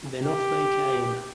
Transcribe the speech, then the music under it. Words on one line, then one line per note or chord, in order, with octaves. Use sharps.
Then off they came.
G4